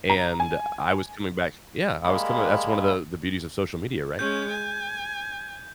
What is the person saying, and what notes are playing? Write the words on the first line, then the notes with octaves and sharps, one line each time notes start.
and I was coming back Yeah. I was coming that's one of the the beauties of social media, right?
A#5
G#5
G3 G#3 A#3 B5
G#3 C#4 G6
G#5